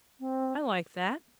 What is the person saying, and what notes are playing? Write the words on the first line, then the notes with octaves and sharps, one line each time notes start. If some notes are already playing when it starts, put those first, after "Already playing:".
I like that.
C4